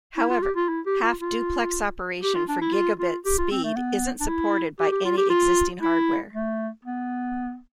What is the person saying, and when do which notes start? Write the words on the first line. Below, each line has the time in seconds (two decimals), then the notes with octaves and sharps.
However, half-duplex operation for gigabit speed isn't supported by any existing hardware.
0.17 E4
0.30 F4
0.42 G4
0.56 F4
0.69 E4
0.86 G4
1.02 F4
1.20 F4
2.23 G4
2.35 F4
2.49 D4
2.61 E4
2.73 F4
2.99 F4
3.25 G4
3.38 F4
3.51 C4
3.64 A3
3.76 B3
4.20 D4
4.28 E4
4.80 G4
4.92 G4
5.05 F4
5.18 G4
5.30 F4
5.82 E4
6.33 A3
6.85 B3